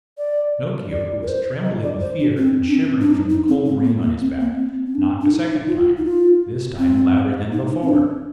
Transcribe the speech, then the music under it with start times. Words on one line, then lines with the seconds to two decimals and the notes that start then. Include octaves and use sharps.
Pinocchio, who was trembling with fear and shivering from the cold rain on his back, knocked a second time, this time louder than before.
0.18 D5
0.91 D5
1.23 A#4
1.28 C5
1.64 D#5
1.83 D5
2.01 C5
2.20 D4
2.37 C4
2.68 D4
2.74 C4
3.01 D4
3.10 D#4
3.30 D#4
3.48 C4
3.66 C4
3.84 A#3
4.02 A#3
4.21 C4
4.40 A#3
4.57 C4
4.86 C4
4.95 D4
5.22 D4
5.32 D#4
5.68 F4
5.97 D#4
6.05 F4
6.78 C4
7.52 D#4
7.82 C4
7.89 D4